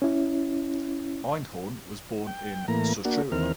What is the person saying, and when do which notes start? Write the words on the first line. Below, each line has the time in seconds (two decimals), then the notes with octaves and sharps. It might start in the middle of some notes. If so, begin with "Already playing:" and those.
Einhorn was born in Suchowola.
0.02 C#4 E4
2.27 G5
2.68 A2 E3 A#3 A#5
3.05 A#3 D4 F#4
3.32 D#2 E3 C4 A#4 F6